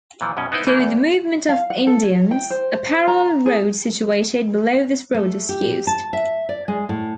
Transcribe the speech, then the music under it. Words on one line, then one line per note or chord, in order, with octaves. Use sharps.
For the movement of Indians, a parallel road situated below this road was used.
A#2 E3 F3
F#2 B2 C#4
B3 D#4 E4 B4 C5
E3 A3 A#3
E2
F5
F#5
A4
C#5
G5
C5
A#5
G#4
A3
G4
A5
E5
D5
G#3
A2